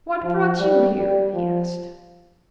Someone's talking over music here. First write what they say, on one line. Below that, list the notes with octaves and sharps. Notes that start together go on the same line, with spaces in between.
"What brought you here?" he asked.
F3
G3
G3
F3